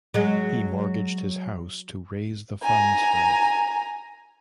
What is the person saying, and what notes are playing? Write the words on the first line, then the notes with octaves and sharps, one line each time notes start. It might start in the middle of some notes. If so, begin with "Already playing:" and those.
He mortgaged his house to raise the funds for it.
F#3 G#3
G#5 A#5